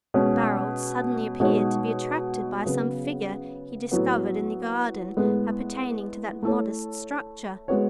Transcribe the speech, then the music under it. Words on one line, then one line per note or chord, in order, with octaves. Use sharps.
Barold suddenly appeared to be attracted by some figure he discovered in the garden appertaining to that modest structure.
B2 G#3 C#4
B2 G#3 D#4 F#4 C#5
C#3 F#3 B3
A2 F#3 B3
A2 G#3 B3 E4
A3 E4 A4 C#5
G#3 B3 F#4 C#5